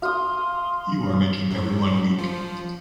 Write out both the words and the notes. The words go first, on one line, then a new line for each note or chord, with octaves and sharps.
You are making everyone weak.
F#4 F5 C6 D#6
F#2
F3